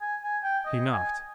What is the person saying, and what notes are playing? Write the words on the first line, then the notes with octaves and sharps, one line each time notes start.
He knocked.
G#5
G#5
G5
D#5
G#5